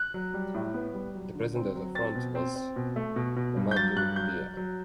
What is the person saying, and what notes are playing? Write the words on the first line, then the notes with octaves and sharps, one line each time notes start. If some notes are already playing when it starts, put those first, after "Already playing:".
The president of the front was Mamadou Dia.
Already playing: F#6
F#3
G3
A2
B3
G3
F#3
D3
C4
F#3
C4 A6
B2
C4
C4
B2
A3
B2
B2
G2
G6
F#3 A6
G2 F#6
F#3 G6
F#3
F#3